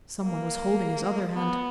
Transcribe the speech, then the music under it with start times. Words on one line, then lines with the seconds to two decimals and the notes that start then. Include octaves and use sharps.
Someone was holding his other hand.
0.23 A#3
1.33 B3